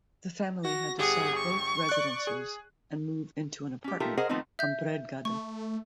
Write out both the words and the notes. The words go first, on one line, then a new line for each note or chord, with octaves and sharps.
The family had to sell both residences and move into an apartment on Bredgade.
F#4 A#6
G1 G4 G#4 F#5
C#6
D5 F#6
G#4
C#4 G4
D#4 F4 G4 A4 A#4 E5
G#4 A#4 C5 D#5 F#5
D#3 F3 A3 B3 C4 D#4
E5 G6
A3 C#6